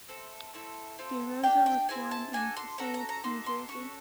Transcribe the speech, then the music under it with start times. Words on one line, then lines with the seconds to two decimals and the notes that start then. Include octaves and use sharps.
DeRosa was born in Passaic, New Jersey.
0.08 C4 E4 A4
0.53 A3 C4 E4 A4
0.98 C4 F4 A4
1.44 A#3 D4 G4 G5
1.66 G5
1.89 C4 E4 G#4 G#5
2.11 A5
2.33 D4 F#4 A4 G#5
2.57 C6
2.78 C#4 F#4 A4 A#5
2.94 A#5
3.09 A#5
3.23 A#3 D#4 F#4 A4 C6
3.46 C6
3.68 C#4 F#4 A4 C#6